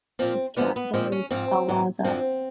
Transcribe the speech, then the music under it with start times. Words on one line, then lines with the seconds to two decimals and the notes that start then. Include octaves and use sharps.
Its capital is Awasa.
0.19 A#2 F3 C4
0.56 F#2 D3 F3 B3
0.76 B3
0.94 A#2 F3 C4
1.12 C#4
1.31 G#2 F3 C4
1.68 G#2 E3
2.04 F#2 D3 F3 C4